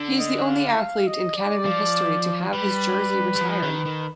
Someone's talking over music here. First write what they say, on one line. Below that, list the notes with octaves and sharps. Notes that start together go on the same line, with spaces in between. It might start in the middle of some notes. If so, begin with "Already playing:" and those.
He is the only athlete in Canevin history to have his jersey retired.
Already playing: D3
D#5
F5
F5
D#5
D5
F3
G3 B4
G3
F3
D#3
D#3